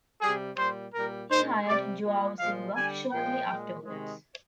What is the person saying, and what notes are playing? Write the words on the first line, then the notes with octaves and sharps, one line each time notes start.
He hired Joao Silva shortly afterwards.
C3 G3 G#4
A#2 G3 C5
A#2 G3 A#4
A#2 G#3 C5
C3 G3 D5
A#2 G#3
A#2 F3 G#3 F5
D3 G3 G#5
A#2 F3 G#3 G5
A#2 G#3
C3 D#3 G#3